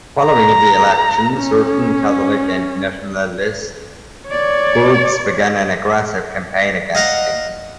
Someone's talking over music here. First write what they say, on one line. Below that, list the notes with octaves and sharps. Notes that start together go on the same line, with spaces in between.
Following the election, certain Catholic and nationalist groups began an aggressive campaign against him.
A#5
C#4
C#5 D5
D#5 F5 F#5 A#5